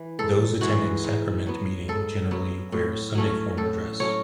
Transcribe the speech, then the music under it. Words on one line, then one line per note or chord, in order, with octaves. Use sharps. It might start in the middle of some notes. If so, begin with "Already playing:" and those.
Those attending sacrament meeting generally wear "Sunday formal" dress.
Already playing: E3
G#2 A4
E3 G#3 F#4
G#2
F#3 B3
G#2 A4
F#3 B3
A2
F#3 A3 C#4
A2 A4
F#3 A3 C#4 C#5